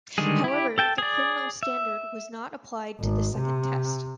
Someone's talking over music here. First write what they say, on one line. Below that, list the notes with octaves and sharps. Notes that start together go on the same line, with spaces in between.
However the criminal standard was not applied to the second test.
D3 D#3 G3 G#3 G#4
E4 G4
A4 G5 A5
G#4 D5
E5
G#1
C3